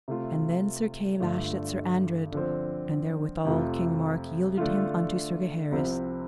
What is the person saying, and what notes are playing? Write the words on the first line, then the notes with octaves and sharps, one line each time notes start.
And then Sir Kay lashed at Sir Andred, and therewithal King Mark yielded him unto Sir Gaheris.
C3 A3 F4
G2 D3 A3 F4
D3 F3 C4
F2 C3 A3 F4
D3 A3 F4
C2 C3 F3 C4